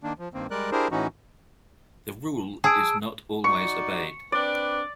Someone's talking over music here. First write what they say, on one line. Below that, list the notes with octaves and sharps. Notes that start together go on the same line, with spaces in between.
The rule is not always obeyed.
D#3 A#3 D4
F3
G2 D#3 A#3 C4
G3 G#3 A#4 D5 F#6
D4 E4 G4 G#4 A#4 C5
A2 E3 C#4 D#4 F#4
G#4 A5 E6 D7
D#4 F#4 D5 C#6
C4 D4 B4 D5